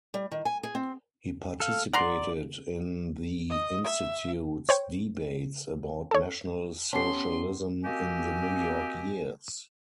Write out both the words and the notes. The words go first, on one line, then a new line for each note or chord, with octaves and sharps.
He participated in the Institute's debates about national socialism in the New York years.
G3
D#3
G#5
G#4
C4
A4 F5
D5 F#5 A#5 C6
D#5
E5
C5 C#5 G5
A4 C#5
B3 C#4 G4 A5 C6 C7
A#3 C4 F#4 G4 D#5 G#5